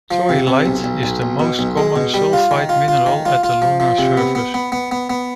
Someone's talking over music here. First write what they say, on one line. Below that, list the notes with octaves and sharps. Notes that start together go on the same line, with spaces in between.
Troilite is the most common sulfide mineral at the lunar surface.
F3
C3
C3
B1
B1
B1
B1
B2
B1
G#3
B2
G3
F4
D#3
F4
F4
D#3
F4
F4
F3
F3
C3
B3
B3
B3
B3
B3
B3